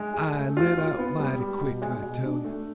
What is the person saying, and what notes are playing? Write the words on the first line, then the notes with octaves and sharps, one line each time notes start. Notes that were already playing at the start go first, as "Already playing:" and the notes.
I lit out mighty quick, I tell you.
Already playing: G#3
G#4
A3
F4
F4
B3
G3
G3
B2
G#3
B2
D4
A3